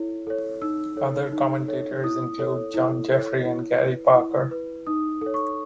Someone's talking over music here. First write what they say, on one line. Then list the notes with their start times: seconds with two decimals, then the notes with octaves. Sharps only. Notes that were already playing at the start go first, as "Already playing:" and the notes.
Other commentators include John Jeffrey and Gary Parker.
Already playing: E4 A4 C#5
0.27 A4 C#5
0.62 D#4 E6
0.97 A4 C#5
1.32 D#4
1.68 A4 C#5
2.03 E4 D#6
2.39 A4 C#5
2.74 E4
3.09 A4 C#5
3.45 E4
3.80 B4
4.15 E4
4.51 B4
4.87 D#4 D#6
5.21 A4 C#5
5.34 C#6